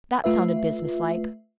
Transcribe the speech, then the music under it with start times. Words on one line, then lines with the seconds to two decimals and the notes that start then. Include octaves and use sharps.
That sounded business-like.
0.24 A3 F4 B4 E5